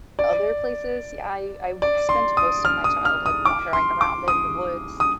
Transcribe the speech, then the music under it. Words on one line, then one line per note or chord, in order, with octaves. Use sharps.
other places? Yeah, I I spent most of my childhood wandering around in the woods.
D5
D5
C6
D#6
F6
D#6
F6
D#6
D6
C6
D6
D#6
D#6